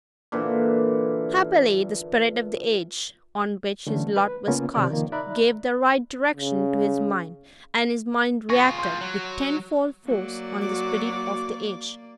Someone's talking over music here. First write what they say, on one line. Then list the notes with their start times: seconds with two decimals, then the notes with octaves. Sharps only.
Happily the spirit of the age on which his lot was cast, gave the right direction to his mind; and his mind reacted with tenfold force on the spirit of the age.
0.32 A#2 D3 E3
3.87 D3 E3 G3 A3 C#4
4.17 B4
4.47 C#3 A#3 B3 C#4 F4
4.74 C3 D#3 D5
4.90 D#3 F3 A#3
5.12 D#4 D5 E5 A#5 B5 F#6
6.36 C#3
8.50 F4 G#4 C#6 A#6
8.79 C6 G6
9.01 F#3
10.07 F#3 A#3 D5
10.61 F#4 D6